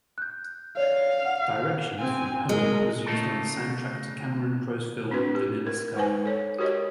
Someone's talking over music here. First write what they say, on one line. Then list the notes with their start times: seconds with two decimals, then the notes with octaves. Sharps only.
"Directions" from "Home" was used on the soundtrack to Cameron Crowe's film "Vanilla Sky".
0.18 F#6 G6
0.77 C#5 D5 F5
1.25 F#5
1.99 C4 G#5
2.49 G#3 G#4 A#4
3.06 C#3 A3 A#3 A4
5.11 C4 D4 F#4 B4
5.35 G4
5.67 A#4
5.96 G#3 D#4 B4 C5 G#5
6.25 A4 C#5
6.59 F#4 G4 A#4 C#5 D#5